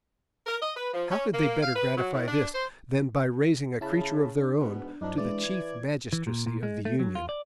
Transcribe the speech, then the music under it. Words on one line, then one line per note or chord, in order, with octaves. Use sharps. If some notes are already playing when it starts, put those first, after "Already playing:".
How could they better gratify this, than by raising a creature of their own to the chief magistracy of the Union?
A#4
D#5
B4
F3
C#4
A#3
F5
B4
F#3
A2
D4
C5
C#3 E4 A5 B5
D4
G#2 B2 B3
F#2 F3 D4 D#4
E3 G#3 D4 D5
G#6
E3
A#2
A#2
G#3
A3
F#3
F4
D5